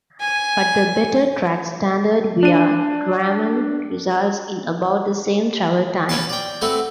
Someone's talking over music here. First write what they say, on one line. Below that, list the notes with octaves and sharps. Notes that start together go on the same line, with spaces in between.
But the better track standard via Drammen results in about the same travel time.
G#5
D4 D#7
C#4 B4 G#5 A5
D5 G5
A3 C4 F#4 B4